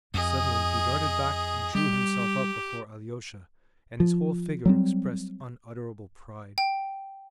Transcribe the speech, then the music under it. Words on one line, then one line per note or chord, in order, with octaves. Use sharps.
Suddenly he darted back and drew himself up before Alyosha, and his whole figure expressed unutterable pride.
F2 G#4 D#5
G3 G4
F3
F#3 G3 C4
G5